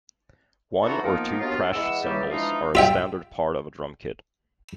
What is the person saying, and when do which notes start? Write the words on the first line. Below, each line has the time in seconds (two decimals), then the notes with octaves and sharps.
One or two crash cymbals are a standard part of a drum kit.
0.83 D3 E3 D#4 F4 F#4 A4
1.03 D#3 F3 A#3 B3 D#4 A#4
1.39 D#2 F#3 B3 D4 F4
1.73 E3 G#3 F#5 E6
2.03 C#3 E3 F#3 G3
2.30 E3 F3 G#3 D4 D#4 F4
2.75 F4 E5 G5